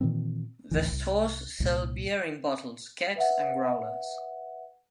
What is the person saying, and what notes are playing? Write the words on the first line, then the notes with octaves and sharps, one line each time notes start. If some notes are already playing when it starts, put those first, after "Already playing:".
The stores sell beer in bottles, kegs and growlers.
A#2 D#3 E3 C4
A1 D2 E3
C2
C2 A#2
B4 E5 F#5